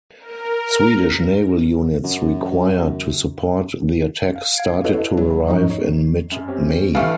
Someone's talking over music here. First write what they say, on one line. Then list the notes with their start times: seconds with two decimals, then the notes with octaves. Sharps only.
Swedish naval units required to support the attack started to arrive in mid May.
0.19 A#4
2.04 F#2
4.36 F5
4.55 F5 G#6 C7 D7
4.84 E4 F#4 A4 B4 C#5 D#5
5.17 E2 A2 E3 F#3
5.48 G#2 F3 D#4 D#5 C#6
5.70 C#5 C7
6.31 F#2
6.48 C4 C#4 G4
6.95 E3 G3 A3 F5 F6